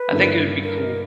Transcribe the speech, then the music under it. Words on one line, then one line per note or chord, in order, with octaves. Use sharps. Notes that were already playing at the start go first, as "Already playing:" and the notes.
I think it would be cool.
Already playing: B4
G2 D3 A#3 E4
A#4